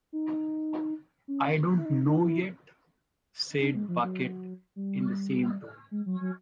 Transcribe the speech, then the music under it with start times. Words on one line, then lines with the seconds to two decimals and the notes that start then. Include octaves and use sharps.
"I don't know yet," said Bucket in the same tone.
0.13 D#4
1.28 C#4
1.77 E4
1.85 D#4
2.05 D#4
2.19 F4
2.25 E4
3.60 D4
3.74 G#3
3.88 F3
4.03 F#3
4.76 G3
5.91 G#3
6.06 F#3
6.21 F#3